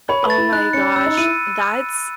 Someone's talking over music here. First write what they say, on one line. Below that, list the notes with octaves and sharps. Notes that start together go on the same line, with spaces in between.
Oh my gosh, that's
C#5 B5
B4
A6
E4
D#4 F#6
C#4 C#7
C#4 E6
D#4
E4 D#7